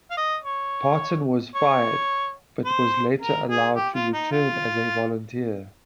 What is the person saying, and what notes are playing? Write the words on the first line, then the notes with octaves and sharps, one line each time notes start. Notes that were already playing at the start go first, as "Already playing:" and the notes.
Partin was fired, but was later allowed to return as a volunteer.
F5
D#5
C#5
C#5
C5
A#4
G#4
G4
F4
D#4
F4